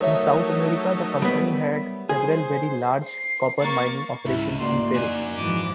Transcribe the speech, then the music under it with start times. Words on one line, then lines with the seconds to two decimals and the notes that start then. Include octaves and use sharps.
In South America, the company had several very large copper mining operations in Peru.
0.01 F#3 A3 D#4 A#4 C#5 E5
1.22 G3 B3
2.09 G#4 C5
3.06 C7
3.60 A#3 C#6 A6
4.26 C#2 G#2 E4
4.59 A#3 D#4 E4 F#4 D5 C6
4.95 D#4 F#4 D5 G#5
5.37 G#2 E3 F3 D6